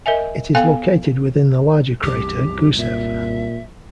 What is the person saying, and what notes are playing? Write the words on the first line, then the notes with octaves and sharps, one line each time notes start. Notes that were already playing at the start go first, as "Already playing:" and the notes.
It is located within the larger crater Gusev.
A#4 D#5 E5 G#5
B3 A4 F5 G5 G#5
C2 F#2 G4
A#2 E5